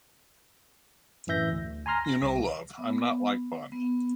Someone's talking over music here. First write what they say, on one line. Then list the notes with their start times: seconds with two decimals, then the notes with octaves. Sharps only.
You know, love, I’m not like Bonnie.
1.27 F#2 A2 E3 E5 G6 A#6
1.52 D2
1.86 G#5 A#5 C6 F6 A#6
2.05 A#6
2.22 C2
2.78 B3
3.72 B3